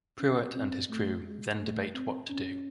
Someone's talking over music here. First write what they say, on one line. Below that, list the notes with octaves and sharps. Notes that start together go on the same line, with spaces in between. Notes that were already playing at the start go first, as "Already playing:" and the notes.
Pruett and his crew then debate what to do.
C#4
C4
A3
G#3
A3
C4
C#4